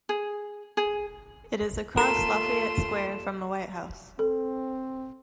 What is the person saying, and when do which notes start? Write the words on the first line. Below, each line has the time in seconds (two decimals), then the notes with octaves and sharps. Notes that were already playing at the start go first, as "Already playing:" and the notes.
It is across Lafayette Square from the White House.
0.09 G#4
0.77 G#4
1.97 D#2 A3 F4 A4 A#4 C6 E7
4.19 C4 A4